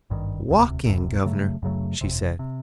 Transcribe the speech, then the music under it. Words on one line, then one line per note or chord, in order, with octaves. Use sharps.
"Walk in, governor," she said.
G#1 G2 D#3
E1 D2 C3
E1 D2 C3
F#2 C#3 F#3 A3
F#2 C#3 F#3 A3
G1 F2 C3
C3